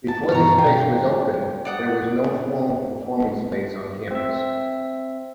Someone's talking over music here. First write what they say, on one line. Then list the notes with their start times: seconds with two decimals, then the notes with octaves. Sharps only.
Before this space was opened there was no formal performing space on campus.
0.08 A5
0.32 G2 B2 E3 C#5 A#5
0.58 F4 G5
1.65 D5 F#5 D#6
4.11 C4 E5